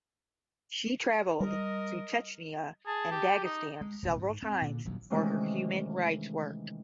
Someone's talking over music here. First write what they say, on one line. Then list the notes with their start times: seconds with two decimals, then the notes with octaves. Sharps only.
She travelled to Chechnya and Dagestan several times for her human rights work.
1.40 G3 A#4 D#5
2.87 G#4 A5
3.11 G4
3.44 D#4
3.81 G#3
4.03 D#1 C2
4.19 G#2
4.43 C4
4.62 A#2 D3
4.85 D#1 A#1 E2 F#3
5.10 C3 D#3 E3 G#3 A3 C#4